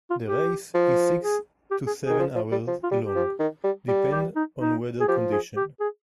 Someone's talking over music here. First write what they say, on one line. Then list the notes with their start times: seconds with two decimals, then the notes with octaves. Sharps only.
The race is six to seven hours long, depending on weather conditions.
0.10 F4
0.26 G4
0.74 F3
1.23 G#4
1.71 G4
1.87 G#4
2.03 G#4
2.09 D#3
2.19 F3
2.35 F3
2.51 G3
2.67 F3
2.83 F4
2.91 G3
3.00 G4
3.15 F3
3.39 D#3
3.64 G3
3.88 G3
4.12 G4
4.36 D#4
4.60 D#4
5.01 G#4
5.08 F3 G4
5.32 G#4
5.56 G4
5.80 G#4